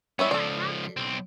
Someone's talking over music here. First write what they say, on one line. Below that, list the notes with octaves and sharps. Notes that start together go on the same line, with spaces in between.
Yeah, it happen.
G3 G#3 B3 C#5 E5
C#2 F3 A4 D5
B1 C4